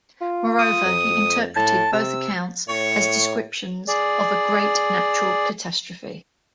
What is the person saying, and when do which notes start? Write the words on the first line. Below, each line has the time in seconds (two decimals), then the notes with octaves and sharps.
Moreover, he interpreted both accounts as descriptions of a great natural catastrophe.
0.21 F4
0.58 D#6
0.85 F2
1.56 A2 A5
1.93 C3 E6
2.69 A2 C#5 C#6
3.88 G#4 D5